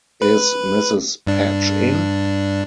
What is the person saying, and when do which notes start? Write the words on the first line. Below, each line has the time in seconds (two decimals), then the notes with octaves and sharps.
Is Mrs. Patch in?
0.22 B4
1.27 G2 D4